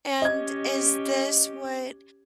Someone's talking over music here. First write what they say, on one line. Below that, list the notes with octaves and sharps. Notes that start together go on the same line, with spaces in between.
and is this what
C#4 G4 D#5 G#6